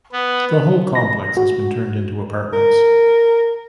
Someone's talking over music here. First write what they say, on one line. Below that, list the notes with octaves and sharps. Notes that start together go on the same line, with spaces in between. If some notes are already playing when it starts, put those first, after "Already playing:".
The whole complex has been turned into apartments.
B3
A#6
F#4
A#4